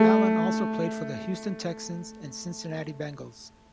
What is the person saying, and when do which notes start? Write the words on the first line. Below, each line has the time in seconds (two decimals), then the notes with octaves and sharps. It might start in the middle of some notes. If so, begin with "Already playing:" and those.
Allen also played for the Houston Texans and Cincinnati Bengals.
Already playing: A3